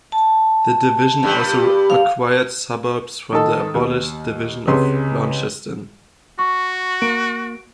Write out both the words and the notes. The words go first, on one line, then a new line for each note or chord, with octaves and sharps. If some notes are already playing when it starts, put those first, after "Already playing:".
The division also acquired suburbs from the abolished Division of Launceston.
A5
G2 G3
F5
D#3 A4
D#2
C#2 C3 B4 C6
F#4 C#6
A#3 D7